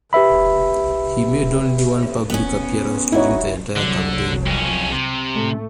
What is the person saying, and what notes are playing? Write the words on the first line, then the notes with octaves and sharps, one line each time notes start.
He made only one public appearance during the entire campaign.
G4 B4 E5 B5
B3 C#4
D#4 E4 F#4 C#5
C2 D3 F#3
F2 C#4
C3
A2 A3